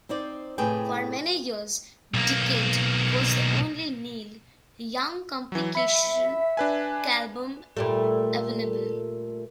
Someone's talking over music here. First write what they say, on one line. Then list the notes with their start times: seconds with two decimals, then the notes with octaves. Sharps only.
For many years, "Decade" was the only Neil Young compilation album available.
0.09 C4 D#4 C5 D5
0.58 A2 C3 E4 G#4 B4 G5
2.14 B1 A#3
5.52 E3 F#3
5.75 E5 B5 C#7
6.57 D4 B4 G#5
7.77 A#2 G3 A3